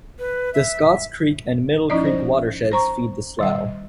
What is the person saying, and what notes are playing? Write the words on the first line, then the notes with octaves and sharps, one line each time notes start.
The Scotts Creek and Middle Creek watersheds feed the slough.
B4
E5
F3 C#4 D#4 E4 D5 D#5
C5
C5 A#5 C#6
D#3 G3 D#5